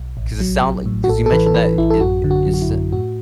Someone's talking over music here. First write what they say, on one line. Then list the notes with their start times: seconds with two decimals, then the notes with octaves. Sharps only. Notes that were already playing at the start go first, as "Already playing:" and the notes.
'Cause it sound li 'cause you mentioned that i it sou
Already playing: B1
0.17 A1
0.40 F#3
0.62 A1
0.86 A2
1.04 F#4
1.09 A1 A4
1.26 A4
1.32 E3 B4
1.46 A4
1.54 E3 B4
1.78 A1 E4
1.90 A4
2.00 F#2 F#4
2.24 D3
2.31 F#4
2.46 F#3
2.54 F#4
2.62 E4
2.69 F#2
2.92 A2 F#4